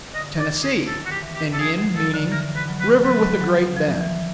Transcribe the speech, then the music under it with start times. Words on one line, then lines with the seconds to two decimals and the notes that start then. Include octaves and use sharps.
Tennessee--Indian; meaning "river with the great bend."
0.14 D3 D#5
0.39 D5
0.63 G#4
0.87 D#3 A4
1.06 F#4
1.11 G4
1.23 E3
1.35 G4
1.53 A4
1.59 F3 G#4
1.78 F#3
1.96 F3 A4
2.14 D3
2.32 E3 A#4
2.56 B4
2.69 F#3
2.81 B4
3.04 F#3 B4
3.23 F#3
3.41 F#3
3.58 F#3
3.77 F3
4.01 E3